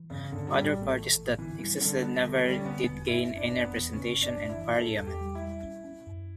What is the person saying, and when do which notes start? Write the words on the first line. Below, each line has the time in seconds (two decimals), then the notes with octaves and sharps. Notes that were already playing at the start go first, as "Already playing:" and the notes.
Other parties that existed never did gain any representation in parliament.
Already playing: E3
0.10 G2 C#3
0.32 G2 D3
0.47 F#3
0.52 A2 G3
0.74 A1
0.82 A3
0.95 E3
1.16 A1
1.38 D3 E3
1.59 E3 G3
1.80 D3 G3
2.02 G3 B3
2.23 D3 A3
2.45 D3 G3
2.59 C#4
2.65 D3 B3
2.87 E1
3.08 F#1 E4
3.29 F#1
3.36 D4
3.51 F#1
3.65 B3
3.71 E2
3.93 C#3 C#4
4.14 F#1
4.21 D4
4.36 F#1
4.49 E4
4.58 E3
4.78 D4 A4
5.00 E2
5.07 G4
5.21 G3
5.35 E4
5.42 G3
5.63 C#4
5.84 C#4
6.06 F#2